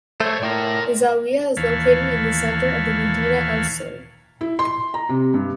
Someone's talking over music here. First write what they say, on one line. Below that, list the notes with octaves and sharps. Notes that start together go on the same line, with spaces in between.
The zawiya is located in the center of the medina of Sousse.
A3 C5 C#5
A2 A#4 D5
D#2 E3 C#5 F5 A5 B5
E4
C6
A#5
C3
G2